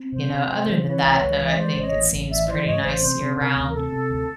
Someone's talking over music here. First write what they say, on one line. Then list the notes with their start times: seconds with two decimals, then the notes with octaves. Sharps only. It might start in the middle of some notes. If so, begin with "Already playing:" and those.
you know, other than that though, I think it seems pretty nice year-round.
Already playing: C4
0.12 C3 C5
0.30 C3
0.48 C3
0.66 E3
0.84 E3 B4 C#5
1.02 C#2
1.21 C#2
1.39 E3
1.45 D#5
1.56 G#3 C5 D5
1.75 A1
1.81 C#5 D#5
1.93 A1
2.11 A1
2.29 A1 D5 E5
2.47 E3 C5 D5
2.65 G#2 C#5 D#5
2.83 A1 C5 D5
3.02 C3 C5
3.19 C3
3.37 C3 A#4
3.56 D2
3.74 C3 A4
3.92 C3
4.10 D2